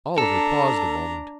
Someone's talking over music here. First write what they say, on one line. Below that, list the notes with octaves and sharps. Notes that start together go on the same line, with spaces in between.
Oliver paused a moment.
D4 A4 A#5